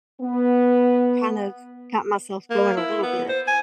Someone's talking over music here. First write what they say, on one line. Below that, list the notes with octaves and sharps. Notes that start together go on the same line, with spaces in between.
kind of got myself going a little bit,
B3
A#3
E4
B3
C5
G#5